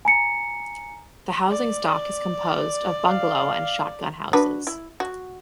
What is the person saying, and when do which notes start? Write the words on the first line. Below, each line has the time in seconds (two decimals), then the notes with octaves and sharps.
The housing stock is composed of bungelow and shotgun houses.
0.05 G#5 A#5 C#7
1.50 D5
3.09 F5
4.33 D4 F#4 B4
4.67 E4
5.00 F#4